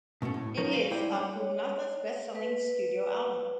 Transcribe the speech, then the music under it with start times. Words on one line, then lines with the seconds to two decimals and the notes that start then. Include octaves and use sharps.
It is Apulanta's best selling studio album.
0.22 B2 A3 C4 C#4
0.34 A2
0.57 F3 C#4 D#4 A#4 C#5
0.72 C4 F5
0.91 E4 C5 D5 G5
1.12 G3 D4 C#5 F#5
1.33 C#5
2.35 B4